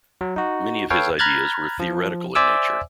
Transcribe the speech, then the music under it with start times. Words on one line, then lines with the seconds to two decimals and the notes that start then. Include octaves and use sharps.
Many of his idea's were theoretical in nature.
0.21 F#3
0.36 D#4 F#4
0.90 A4 B4 C#5 F5 G5
1.19 A#5 B5 F6 F#6 G#6 A6
1.80 F3
2.35 C5 D5 E5 G#5 D6 E6